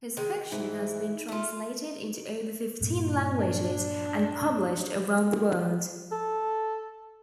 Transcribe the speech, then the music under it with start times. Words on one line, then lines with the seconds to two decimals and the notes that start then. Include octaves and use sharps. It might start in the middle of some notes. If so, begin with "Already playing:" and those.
His fiction has been translated into over fifteen languages and published around the world.
0.17 D#3 G#3
0.52 G#2 E3
1.28 A3 F4
2.81 G2 A#2
3.38 D4
6.12 A4